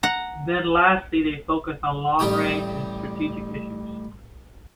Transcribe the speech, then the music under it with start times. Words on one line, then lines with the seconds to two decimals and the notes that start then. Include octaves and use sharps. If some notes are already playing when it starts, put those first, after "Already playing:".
Then lastly they focus on long-range and strategic issues.
0.03 F#5 A#5
2.19 A1 G3 G4 G5 D#6